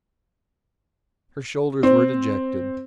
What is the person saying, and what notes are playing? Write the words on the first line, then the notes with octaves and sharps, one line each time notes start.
Her shoulders were dejected.
C4